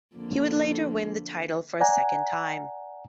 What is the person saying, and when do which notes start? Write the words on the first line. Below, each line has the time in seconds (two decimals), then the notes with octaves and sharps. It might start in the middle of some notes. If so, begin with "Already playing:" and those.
He would later win the title for a second time.
0.15 F2 D3 A#3
1.80 D5 F#5 G#5 A#5